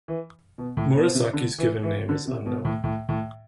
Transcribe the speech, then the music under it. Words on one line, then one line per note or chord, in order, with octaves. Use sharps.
Murasaki's given name is unknown.
E3
B2
A2
B2
C3
D3
E3
E3
D3
C3
B2
A2
A2
A2